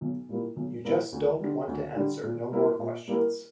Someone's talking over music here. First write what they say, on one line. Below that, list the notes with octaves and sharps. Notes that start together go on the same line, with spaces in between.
You just don't want to answer no more questions.
B1
A#2 G3 A#3 E4
B1
A#2 G3 A#3 E4
D2
D3 G3
D2
D3 G3
A#2
G3 A#3 E4 A#4
A#2
G3 A#3 E4 A#4